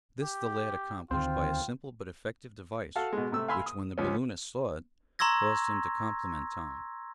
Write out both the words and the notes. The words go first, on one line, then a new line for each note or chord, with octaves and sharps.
This the lad accomplished by a simple but effective device which, when the balloonist saw it, caused him to compliment Tom.
G4
D2 D3 D#3 C4 F4 C5 G5
F#4 A4 F5 A5
B2 G#3
C3 A3 E6
F5 G#5 B5 C6 E6 F6
D#6
C#2 F3 C#4
A#5 C6 C#6 E6 G#6 A#6